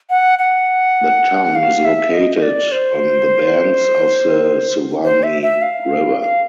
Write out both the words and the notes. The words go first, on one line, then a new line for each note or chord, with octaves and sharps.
The town is located on the banks of the Suwannee River.
F#5
F#5
F5
E5
D#5
D#5
D5
C5
C5
E5
E5
F5
F5